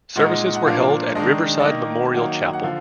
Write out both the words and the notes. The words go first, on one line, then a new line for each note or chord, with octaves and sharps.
Services were held at Riverside Memorial Chapel.
A#2 G#3 D#4 F#5
F#5
A#2 F3 A#3 D4 F5
D#3 G#3 D4 D#5
D5
D#3 A#3 D#4 D#5
D#3 F#3 A#3 D#4 F#5
F#5
D3 F3 F5